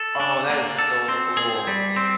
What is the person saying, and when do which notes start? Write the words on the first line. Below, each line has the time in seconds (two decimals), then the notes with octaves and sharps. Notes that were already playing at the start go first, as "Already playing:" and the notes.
Oh, that is so cool.
Already playing: A4
0.20 D4
0.50 A#3
0.79 A4
1.08 C4
1.37 G#4
1.67 G3
1.96 C4